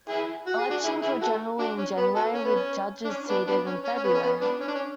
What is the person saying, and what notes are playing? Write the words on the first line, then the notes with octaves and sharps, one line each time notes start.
Elections were generally in January, with judges seated in February.
E4 G#4
F#4
G#4
D4 F#4
E4 G#4
E4 G#4
F#4 A4
D4 F#4
C#4
B3
F#4 A4
C#4
B3
C#4
D4
C#4
B3 D4
B3 D4
C#4
C#4
C#4
B3
C#4
B3
B3 D4
C#4
D4
C#4